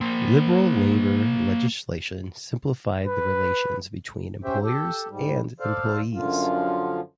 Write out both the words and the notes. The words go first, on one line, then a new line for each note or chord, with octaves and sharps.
Liberal labour legislation simplified the relations between employers and employees.
A#3 C5
B4
C#4 G4 C5 E5 G5
G4 A4
G#2 G3
A4 C5 D5 F5
F#2 D3 F3 F4